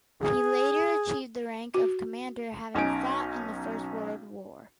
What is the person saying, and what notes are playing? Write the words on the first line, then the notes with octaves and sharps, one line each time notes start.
He later achieved the rank of commander having fought in the First World War.
G#4
F#4
B1 C#4 D#4 G#5 D7